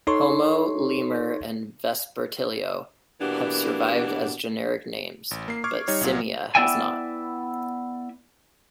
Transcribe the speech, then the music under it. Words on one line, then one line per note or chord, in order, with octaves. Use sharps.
"Homo", "Lemur", and "Vespertilio" have survived as generic names, but "Simia" has not.
D#4 A4 C#5 C6 C#6
B2 E3 A#3 B3 D4 G4
A1
A#3 C7
C#6 D6 F6 G#6
G3 D#4 C#5
C2 A#2 F#3
B3 E4 D5 E5 G5 G#5